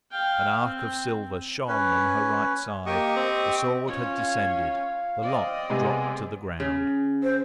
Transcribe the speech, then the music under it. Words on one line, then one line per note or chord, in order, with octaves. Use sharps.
An arc of silver shone on her right side: the sword had descended. The lock dropped to the ground.
F5 G5
C4
C#4 B4
A#3 G4 D#5 C#6
C4
C#4 F4 C#5
F5
C4 D5 D#5
C3 G#3 B3 G#4
C#3
C5